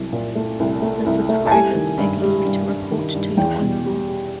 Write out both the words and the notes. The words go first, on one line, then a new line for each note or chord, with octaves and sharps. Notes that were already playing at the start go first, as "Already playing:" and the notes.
The Subscribers beg leave to Report to your Honorable.
Already playing: C2 F#3
A#2
A3
C2
A3
C2
A3
A5
G3 G#5
D#3
G2
G3
G2
G2
D#3
G2
E2 G5
B2
G3
G3